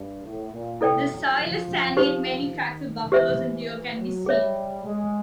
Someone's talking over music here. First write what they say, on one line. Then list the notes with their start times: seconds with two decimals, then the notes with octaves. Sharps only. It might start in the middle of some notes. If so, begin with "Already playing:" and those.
The soil is sandy and many tracks of buffalo and deer can be seen.
Already playing: G2
0.24 A2
0.52 A#2
0.81 C3 E4 A4 D5 G5
1.10 F#3
1.39 F3
1.97 D#4 G4 C5
2.53 D#3
3.11 E3 G4 C5 E5
3.69 E3
3.97 F#3
4.26 G3 G#4 C#5 E5
4.84 G#3